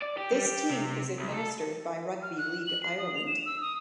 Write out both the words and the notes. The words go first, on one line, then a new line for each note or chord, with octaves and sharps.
This team is administered by Rugby League Ireland.
D5
G4
G3
G4
C3
C2
A4
F6
F#6
F#7
C7
D#6
F7
E7
E6
D#6